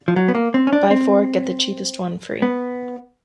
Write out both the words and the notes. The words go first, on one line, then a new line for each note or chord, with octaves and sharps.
Buy four, get the cheapest one free.
F3
F#3
B3
A#3
C4
C#4
D4
C4
B3